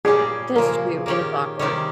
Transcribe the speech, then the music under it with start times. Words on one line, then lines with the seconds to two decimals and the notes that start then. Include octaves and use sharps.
That's true, it is awkward.
0.05 A#2 G3 A#3 C#4 G4 G#4
0.56 C#3 F3 A#3 A#4
1.06 D#3 A#3 C#4 G4
1.59 C3 D#3 G3 C#4